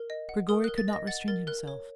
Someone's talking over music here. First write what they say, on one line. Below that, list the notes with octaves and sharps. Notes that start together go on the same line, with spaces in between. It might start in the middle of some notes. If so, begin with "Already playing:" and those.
Grigory could not restrain himself.
Already playing: A#4
D#5
F#5
A#4 D#6
A#4 F#6
A6
D#5 A#6
F#5 A6
A#4 A6
A#4 F#6
C#5